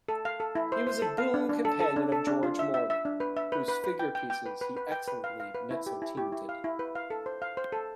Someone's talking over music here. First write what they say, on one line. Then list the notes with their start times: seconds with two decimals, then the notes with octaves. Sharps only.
He was a boon companion of George Morland, whose figure-pieces he excellently mezzotinted.
0.08 A4
0.25 F5
0.40 A4
0.55 E4
0.72 C5
0.87 C5
1.02 A4
1.18 F5
1.34 D4
1.49 D4
1.65 A4
1.80 A4
1.96 D4
2.12 A4
2.27 D4
2.43 F4
2.59 E5
2.74 E5
2.90 E5
3.05 D4
3.20 B4
3.37 E5
3.52 B4
3.68 B4
3.84 B4
3.99 G5
4.15 G5
4.30 G5
4.46 B4
4.61 B4
4.77 B4
4.92 G5
5.08 B4
5.24 F5
5.40 F5
5.54 B4
5.71 E4
5.86 G4
6.02 E4
6.17 G4
6.32 E4
6.49 F5
6.64 E4
6.79 B4
6.95 F5
7.10 A4
7.26 C5
7.42 F5
7.57 C5
7.72 A4